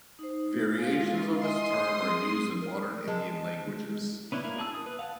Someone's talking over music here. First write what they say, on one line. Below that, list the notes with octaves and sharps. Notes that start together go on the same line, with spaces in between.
Variations of this term are used in modern Indian languages.
D#4 C5
G#3 F4
D#5 E5 G#5 C6 D#6
C4 G#4
A#4
G#3 A5
G#3
B3 C#4 D4 E4
A#3 E4
G#4 A5 E6
D#6
B4
F5 F#5 A5